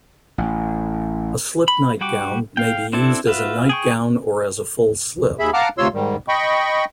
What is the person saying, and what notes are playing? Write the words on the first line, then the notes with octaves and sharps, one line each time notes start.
A slip nightgown may be used as a nightgown or as a full slip.
A1
B5
G3 F#4 G5 D6
F5 G5
C4 D4 E4 A4
F4 F#4 B4 E5
G#4 G5 C#6
D#2 G#4 E5 B5
F5 F#5 A5 A#5 D6 F6
D2 C3 F4 C#5 C6 E6
G#2 D#3 G3
D#5 G5 B5 C#6